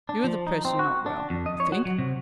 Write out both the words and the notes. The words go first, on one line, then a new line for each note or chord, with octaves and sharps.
You are the person not well, I think.
D4
F3
D#4
C4
F#4
D4
F2
D#5
C#5
F#4
F#3
C3